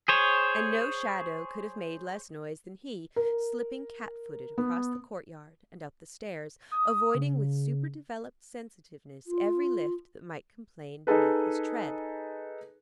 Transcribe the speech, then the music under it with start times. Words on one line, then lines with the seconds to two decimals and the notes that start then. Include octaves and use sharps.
And no shadow could have made less noise than he, slipping cat-footed across the courtyard and up the stairs, avoiding with super-developed sensitiveness every lift that might complain beneath his tread.
0.08 G#4 C5 C#5
3.16 A#4
4.58 B3
6.72 D#6
7.15 C#3
9.27 F4
11.07 D#4 G#4 A4 B4